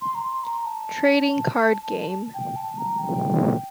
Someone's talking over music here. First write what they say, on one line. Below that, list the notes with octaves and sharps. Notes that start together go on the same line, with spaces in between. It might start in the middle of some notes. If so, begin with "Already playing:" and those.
Trading Card Game.
C6
A#5
C6
A#5
A5
G5
A5
A#5
G5